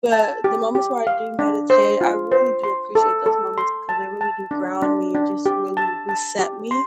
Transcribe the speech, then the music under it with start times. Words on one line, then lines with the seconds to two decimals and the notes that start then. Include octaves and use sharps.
but the moments where I do meditate, I really do appreciate those moments, because they really do ground me and just really reset me.
0.12 A5
0.44 G4
0.75 G4
1.07 F5
1.39 D4
1.70 C5
2.01 F4
2.32 C5
2.64 C6
2.95 A4
3.26 A4
3.58 C6
3.89 A5
4.21 A5
4.51 D4
4.82 D4
5.15 D4
5.46 G4
5.77 A5
6.09 A5
6.39 G4
6.71 C6